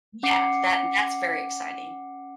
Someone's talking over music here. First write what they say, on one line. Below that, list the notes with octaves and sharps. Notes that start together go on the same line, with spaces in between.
Yeah, that that's very exciting.
C#4 F#5 D6 C7 C#7